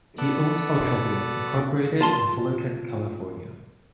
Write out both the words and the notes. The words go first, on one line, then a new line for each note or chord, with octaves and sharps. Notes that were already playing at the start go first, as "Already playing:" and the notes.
He owns Ultra Wheel, Incorporated in Fullerton, California.
B3 A4 D5
B2
F4 A5 C6